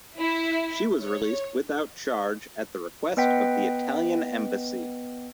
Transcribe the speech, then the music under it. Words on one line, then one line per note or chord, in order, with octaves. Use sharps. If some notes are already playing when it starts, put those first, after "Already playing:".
She was released without charge at the request of the Italian embassy.
E4
C#5
B3 B4 D#5 F#5 G5 B6